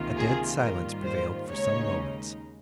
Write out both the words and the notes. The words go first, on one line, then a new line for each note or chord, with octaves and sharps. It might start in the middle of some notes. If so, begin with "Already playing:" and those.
A dead silence prevailed for some moments.
Already playing: C#2 C3 D#3 A#3 F4
G#4
G#2 D#3 G3 A#3 F4 A#4
C5
D#2 C#3 G#3 D#4 C#5